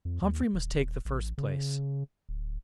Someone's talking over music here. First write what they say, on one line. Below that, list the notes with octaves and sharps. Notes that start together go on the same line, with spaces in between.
Humphrey must take the first place.
F2
D#2
D#1
A1
C#3
D1